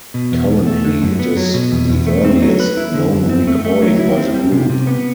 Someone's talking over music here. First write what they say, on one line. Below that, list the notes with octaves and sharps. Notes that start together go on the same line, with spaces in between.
Currently, it is the earliest known recording by the group.
B2
E2
E2
A3
D3
F#2
B3
F#3
B2
E2
E2
A3
C4
F#3
B4
E4
D3
F#2
C4
A3
A3
F#3
E4
C4
G3
C3
C3
B3